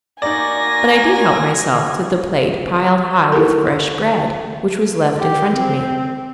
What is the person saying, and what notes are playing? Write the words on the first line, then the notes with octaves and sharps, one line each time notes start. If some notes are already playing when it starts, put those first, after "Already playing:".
But I did help myself to the plate piled high with fresh bread which was left in front of me.
A#3 D#4 F#4 A#4 D5 G#5 A#6
D#4 E4 G4 A4 A#4
G4
C4